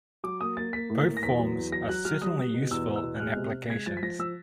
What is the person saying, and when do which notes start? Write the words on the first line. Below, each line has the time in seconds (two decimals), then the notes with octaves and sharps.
Both forms are certainly useful in applications.
0.24 F#3 D6
0.41 A#3 D#6
0.57 A#3 A6
0.73 A#3 B6
0.90 A2
1.06 A#3
1.17 A#6
1.23 E2 B6
1.39 F#3
1.55 E2
1.72 F#3 A#6
1.89 F#3 F#6
2.05 F#3 F6
2.22 G3 D#6
2.38 G3
2.54 B2
2.71 E2 E6
2.88 E2
2.96 E6
3.03 B2
3.16 F#6
3.20 G#3 F6
3.36 C3
3.53 C3
3.69 G#3 G#6
3.86 F3 A6
3.97 B6
4.03 F3 A#6
4.19 F3 E6